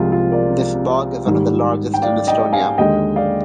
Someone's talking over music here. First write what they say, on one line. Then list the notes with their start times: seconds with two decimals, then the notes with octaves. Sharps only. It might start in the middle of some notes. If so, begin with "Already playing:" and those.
This bog is one of the largest in Estonia.
Already playing: C2 C3 F3 G#3 F4
0.12 F4
0.31 A#4 D5
1.26 G#2 D#3 G3
1.94 G5
2.02 D5 F5
2.27 D#5 G5
2.53 F5 G#5
2.78 D#2 D3 G#3 D#5 G5
3.16 D5 F5